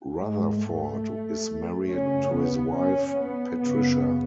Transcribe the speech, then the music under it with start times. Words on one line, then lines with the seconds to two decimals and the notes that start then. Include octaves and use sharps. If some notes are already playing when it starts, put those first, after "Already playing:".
Rutherford is married to his wife, Patricia.
0.17 G#2 G#3
0.59 A3
1.89 F#2 C#3 C#4
2.32 B3
2.75 C#4
3.18 B3
3.60 F#2 C#3 B3